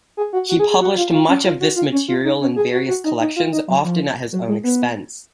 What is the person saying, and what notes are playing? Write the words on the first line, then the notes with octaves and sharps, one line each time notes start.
He published much of this material in various collections, often at his own expense.
G#4
F#4
F#4
G#4
G#4
F#4
F4
F4
C#4
F4
F#4
F4
C#4
F4
D#4
C#4
G#4
F#4
F#4
D#4
D#4
F4
D#4
F#3
F3
F#3
G#3
B3